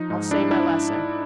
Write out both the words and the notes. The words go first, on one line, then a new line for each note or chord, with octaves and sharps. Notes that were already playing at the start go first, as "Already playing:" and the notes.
I'll say my lesson.
Already playing: F3 D#4
G#2 D#4
D4 E4
D4 E4